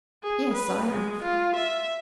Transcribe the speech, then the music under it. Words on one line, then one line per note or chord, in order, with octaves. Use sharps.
"Yes, I have."
G#4
B4
G#3
F4
E5